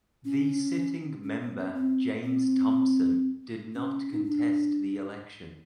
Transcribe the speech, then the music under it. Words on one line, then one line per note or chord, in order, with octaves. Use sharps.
The sitting member James Thompson did not contest the election.
C#4
C#4
B3
C#4
C4
C4
C#4
D#4
D4